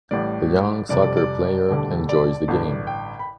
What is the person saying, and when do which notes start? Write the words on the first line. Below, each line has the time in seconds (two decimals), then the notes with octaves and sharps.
The young soccer player enjoys the game.
0.11 A1 A2 G3 D5
0.89 F1 F2 C3 G3 D5
1.02 D5
1.17 D5
1.68 E1 D2 D3 G3
2.09 D5
2.48 A1 G2 D3
2.87 G5
3.19 B5